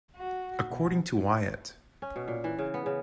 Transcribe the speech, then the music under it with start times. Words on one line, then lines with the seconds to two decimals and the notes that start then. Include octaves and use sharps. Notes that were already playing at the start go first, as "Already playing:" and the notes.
According to Wyatt.
0.16 F#4
0.70 B2
2.02 C#4
2.16 B2
2.28 A#2
2.44 E3
2.59 C#3
2.74 B3
2.86 C#3